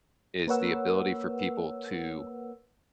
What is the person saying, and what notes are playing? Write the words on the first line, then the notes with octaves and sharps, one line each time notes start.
is the ability for people to
A#3 A#4 B4 C#5 F#5 E6